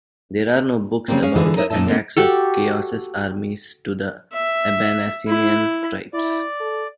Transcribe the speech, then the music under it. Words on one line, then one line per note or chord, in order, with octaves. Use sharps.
There are no books about the attacks of Chaos's armies to the Abanasinian tribes.
C#3 F#3 G3 A#3 C4
G#3 C#4 C#5 F5
D3 E3 F4 G#4
D#4 A#4 C#5 D#5 E5
F#2 A#2 D#4 D#5 E5 A5
D3 A#3 C4
F#4 G4 A4
E5
E4
E4 D5
A4